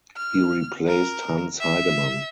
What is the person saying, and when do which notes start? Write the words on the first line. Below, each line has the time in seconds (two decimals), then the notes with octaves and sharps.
He replaced Hans Heidemann.
0.16 F6
0.87 A#4
1.61 E5